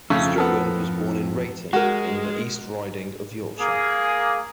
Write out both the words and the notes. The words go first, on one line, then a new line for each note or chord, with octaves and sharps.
Strickland was born at Reighton, in the East Riding of Yorkshire.
F2 C#3 A3 C#4
B3 A4 A#4
G#3 F#4 A#4
A#3 G#4